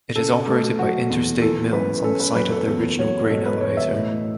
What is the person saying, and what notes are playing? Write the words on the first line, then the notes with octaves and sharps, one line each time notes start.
It is operated by Interstate Mills on the site of the original grain elevator.
C#3 A4
A3 A4
F#3 F#4
E2
E3 A4
F#2 B4
C#4 A4
B4
F#2 B4
A4
E2 A4
F#3 C#5
B2 A4
B4
E1 C#5
E5
A2